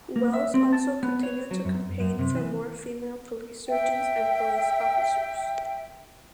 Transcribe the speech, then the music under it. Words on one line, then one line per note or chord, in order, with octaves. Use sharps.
Wells also continued to campaign for more female police surgeons and police officers.
A#3
E5
C4
A5
B3
C#5
F#3
F#2
F#2
C3
E3
E5 G5